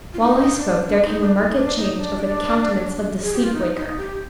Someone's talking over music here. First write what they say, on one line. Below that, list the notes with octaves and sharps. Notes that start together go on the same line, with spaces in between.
While I spoke, there came a marked change over the countenance of the sleep-waker.
F4
D#4
D4
D4
D#4
D4
D#4
D4
D#4
D4
G#4
G4
F4
D#4
D#4
G4